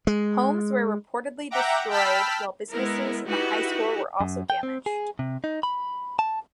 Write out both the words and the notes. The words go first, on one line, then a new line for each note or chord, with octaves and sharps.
Homes were reportedly destroyed, while businesses and the high school were also damaged.
G#3
E5 F#5 G5 A#5 D6
G5 A5 B5 E6 F6 B6
G#3 B3 E4 A#4
D#4 E4 F#4 G4 B4
F#2
G5
C4
G#4
C3
D#4
B5
A5